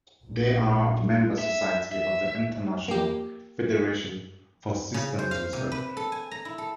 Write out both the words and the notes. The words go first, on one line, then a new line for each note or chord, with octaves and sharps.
They are a member society of the International Federation for Systems Research.
A#1 A#2
E5
E5
A#3 G4
C#3
C5
F5
C3
B4
A4
G#5
A#5
E4
A4